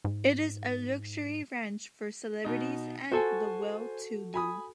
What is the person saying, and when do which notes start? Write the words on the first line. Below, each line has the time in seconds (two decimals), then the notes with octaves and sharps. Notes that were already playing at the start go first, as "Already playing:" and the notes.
It is a luxury ranch for celebrities and the well-to-do.
0.05 G#2
2.45 B2 D#4
3.12 F#4 A4 C5 G#5
4.34 G#5 B5 D#6